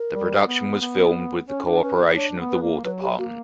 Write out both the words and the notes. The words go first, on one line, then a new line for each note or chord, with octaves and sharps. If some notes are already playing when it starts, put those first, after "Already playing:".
The production was filmed with the cooperation of the War Department.
Already playing: A#4
G3
B3
B3
C#4 C#5
D4
C#4 B4
B3
D4 C#5
B3
B4
A#3
F#3 B4
G4
A#3 F#4